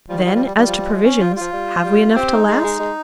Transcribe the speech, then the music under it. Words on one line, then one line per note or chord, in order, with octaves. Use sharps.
"Then, as to provisions, have we enough to last?"
F3 G3
D#3
F3 G3
G3
G3
D#3 G3
F3
F3
G#3
C#4
F3 F4
G3
F3 F4
G3
G3
C4 G4
D#4
G#3
G#3
G#3